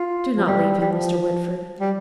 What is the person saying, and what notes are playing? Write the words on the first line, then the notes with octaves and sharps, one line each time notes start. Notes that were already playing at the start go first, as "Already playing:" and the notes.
"Do not leave him, Mr. Whitford."
Already playing: F4
F3
G3
G3
F3
G3